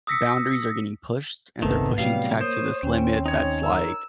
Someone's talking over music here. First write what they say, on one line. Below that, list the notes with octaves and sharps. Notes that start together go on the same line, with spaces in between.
boundaries are getting pushed and they're pushing tech to this limit that's, like,
D#6 E6 A#6 B6 C#7
D1 G1 C#2 C3 D#3 B3 A4
A2 C3 F#3 G3 F5
A#3 C5 C#5 D#6
D#2 C4 C#4
D#4 C#5
A#4 E6